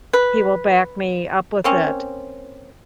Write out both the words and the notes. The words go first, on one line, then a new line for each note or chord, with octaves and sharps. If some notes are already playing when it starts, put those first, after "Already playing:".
he will back me up with it.
B4
A#3 C4 C#4